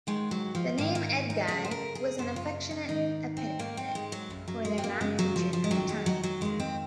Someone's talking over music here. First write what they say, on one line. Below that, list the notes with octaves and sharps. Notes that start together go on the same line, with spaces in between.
The name "Edguy" was an affectionate epithet for their math teacher at the time.
G#2 D#3 G#3
F#3
F3
G#2 D#3 A#3
A#3
D#4
F#2 C#3 G#4
C5
A#4
G#4
F#2 C#3 C5
F4
C#4
G#2 D#3 D#4
C4
G#2 D#3 A#3
C4
G#3
F#3
F#2 C#3
F#3
G#3
C4
A#3
F#2 C#3 G#3
F#3
F3
F3
G#3
F2 D#3 F#3
G#3
F#3
F#3
F2 D#3 G#3
C4